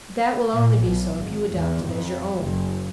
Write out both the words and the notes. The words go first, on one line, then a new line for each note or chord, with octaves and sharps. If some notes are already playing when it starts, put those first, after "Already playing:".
But that will only be so if you adopt it as your own.
A#2
B1
G#1
E2
F2
F#1